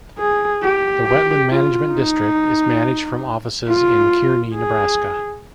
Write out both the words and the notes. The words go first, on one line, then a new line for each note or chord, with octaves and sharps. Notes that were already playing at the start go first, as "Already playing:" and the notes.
The Wetland Management District is managed from offices in Kearney, Nebraska.
G#4
G4
G4
F4
D#4
F4
G#4